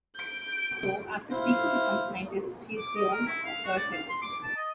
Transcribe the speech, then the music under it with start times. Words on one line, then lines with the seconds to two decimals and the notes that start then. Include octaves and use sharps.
So, after speaking to some scientists, she has cloned herself.
0.16 G6 D7
1.31 E4 C5 E5 F5
2.78 D6
2.96 D#5
3.12 A#4
3.26 E4
3.45 F5
3.65 F#4
3.77 D5
3.92 F5
4.09 C6
4.22 D6
4.43 A5
4.56 D#5